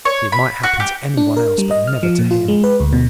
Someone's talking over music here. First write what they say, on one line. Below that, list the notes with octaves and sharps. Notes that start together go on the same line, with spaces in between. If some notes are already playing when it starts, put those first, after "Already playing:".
It might happen to any one else, but never to him!
C#5
B5
F#4
G4
D4
A#4
G3
D#5
F6
F3
A#2
F4
G#3
B4
D2
B2